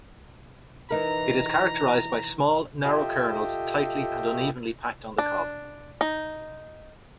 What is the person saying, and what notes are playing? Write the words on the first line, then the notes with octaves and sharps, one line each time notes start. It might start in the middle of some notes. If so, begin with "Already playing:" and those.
It is characterized by small, narrow kernels tightly and unevenly packed on the cob.
E3 D#4 A#4 A#5
F4 G4 A4 D#5 E5 G5
D4
D#4